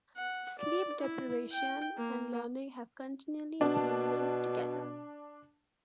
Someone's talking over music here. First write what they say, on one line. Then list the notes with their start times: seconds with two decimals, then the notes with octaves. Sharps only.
Sleep deprivation and learning have continually been linked together.
0.17 F#5
0.59 D5
1.00 E4
1.52 G5
1.97 A#3
3.61 B2 D4 A5